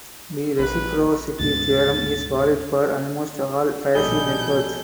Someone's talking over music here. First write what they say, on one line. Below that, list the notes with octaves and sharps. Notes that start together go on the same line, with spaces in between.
The reciprocity theorem is valid for almost all passive networks.
A#1 B4
D2 G#2 B2 A6
A#1 B2 G3 G#4 A4 D#5 G6